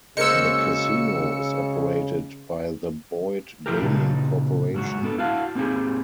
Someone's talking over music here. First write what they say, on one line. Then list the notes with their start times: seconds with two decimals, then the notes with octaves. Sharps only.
The casino is operated by the Boyd Gaming Corporation.
0.17 C#3 G#3 A#3 F#4 C5 E6 C#7
3.66 F3 F#3 A3 E4 G4 A#4
3.82 A#2 C#3 D4 D#4
4.74 G#2 F#3 F#4
5.03 B3 D4 A4
5.18 E4 F#4 F5 A5
5.55 A#3 C4 D#4 G4 G#4